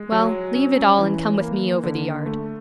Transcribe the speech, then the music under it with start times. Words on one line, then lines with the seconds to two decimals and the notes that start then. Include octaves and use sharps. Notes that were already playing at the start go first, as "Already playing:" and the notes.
'Well, leave it all and come with me over the yard.
Already playing: G#3
0.12 F#3
0.55 C#4
0.98 E3
1.40 A#3
1.83 D3
2.26 A3